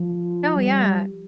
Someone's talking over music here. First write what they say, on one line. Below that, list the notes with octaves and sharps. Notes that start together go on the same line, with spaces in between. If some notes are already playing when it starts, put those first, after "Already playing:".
Oh, yeah,
Already playing: F3
G3